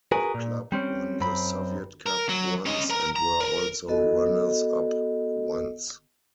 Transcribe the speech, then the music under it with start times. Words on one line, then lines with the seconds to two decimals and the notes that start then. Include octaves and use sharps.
The club won the Soviet Cup once, and were also runners-up once.
0.12 F#4 G#4 A#4 B4 G#5
0.35 A#2
0.72 G3 C4 C#4
1.20 F#2 C4 B5
2.06 A#4
2.29 F#3
2.66 C#4 D#5
2.90 A#4 A#5
3.16 A#5
3.40 A#4
3.88 B3 F#4 A4 D#5